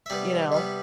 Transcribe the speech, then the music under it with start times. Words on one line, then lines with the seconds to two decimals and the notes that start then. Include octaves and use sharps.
you know?
0.06 E5
0.10 C3 G3 B3 D5
0.52 C3 G3 B3